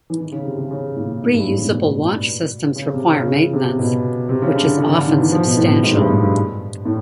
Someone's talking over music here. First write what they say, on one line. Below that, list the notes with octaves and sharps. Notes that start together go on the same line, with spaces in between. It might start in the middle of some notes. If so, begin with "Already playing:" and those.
Reusable launch systems require maintenance, which is often substantial.
E3
D#3
C#3
C3
C#3
C#3
A#2
G#2
G2
A2
B2
C#3
C3
C#3
C#3
C3
B2
C3
C#3
D3
D3
D3
D#3
E3
F3
B2
A2
A2
G#2
G2
G#2
G2
A2